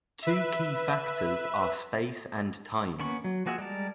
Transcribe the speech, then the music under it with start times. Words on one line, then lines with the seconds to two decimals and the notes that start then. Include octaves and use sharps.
Two key factors are space and time.
0.22 B4 E5
2.99 A#3 B3 C#4 B5 C#6
3.24 F#3
3.46 F3 A#3 F#4 G#4 E5
3.59 G3 G#3 A#4 A5